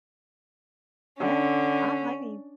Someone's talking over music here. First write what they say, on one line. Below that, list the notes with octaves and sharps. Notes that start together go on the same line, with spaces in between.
Yeah. I don't blame you.
D3 C#4